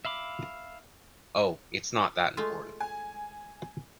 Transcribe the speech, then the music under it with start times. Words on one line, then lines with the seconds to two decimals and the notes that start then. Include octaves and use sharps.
Oh, it’s not that important.
0.05 E5 F5 B5 D6
2.37 G#3 A3 F4
2.80 G#5